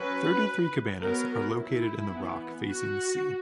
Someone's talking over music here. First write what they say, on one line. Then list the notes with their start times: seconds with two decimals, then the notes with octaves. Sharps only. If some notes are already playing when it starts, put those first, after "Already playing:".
Thirty-three cabanas are located in the rock facing the sea.
Already playing: F#3 C#4 B4
1.01 F#3 B3 A#4
1.56 E4
2.12 E3 B3
2.66 F#4